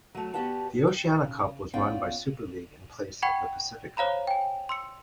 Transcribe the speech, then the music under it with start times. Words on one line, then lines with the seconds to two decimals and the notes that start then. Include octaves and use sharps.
The Oceania Cup was run by Super League in place of the Pacific Cup.
0.15 F#3 A3
0.34 B3 F#4 G4 D5 F#5 A5
0.87 G5
1.23 C#3
1.73 B3 C#4 F4 D5 F5 G5
3.22 F#5 G5 B5 C#6 G#6 C#7
3.97 C5 C#5 F5 A#5 B5
4.27 G5 G#5
4.69 C6 E6 C#7